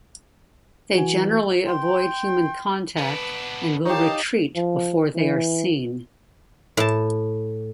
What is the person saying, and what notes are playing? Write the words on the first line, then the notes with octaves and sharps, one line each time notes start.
They generally avoid human contact and will retreat before they are seen.
E3 F#4 G#5
G5 C6
B3 D4 B4
D#4 G4 C#5 F5 A5
F3
E3
A2 A5